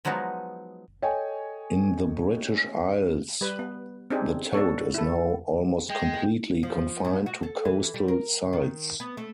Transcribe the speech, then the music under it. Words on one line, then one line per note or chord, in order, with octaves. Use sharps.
In the British Isles the toad is now almost completely confined to coastal sites.
F3 F#3 G#3 B3 D#4
A4 C#5 D#5 G5 G#5
G3 B4
B3
C4 D4 D#4 G4 G#4
B3 D4 A4 C#5
E4 A4
G#3 G5
F3
G#2
F#4
A4
E3
G3
A#4
D#3
B3
A3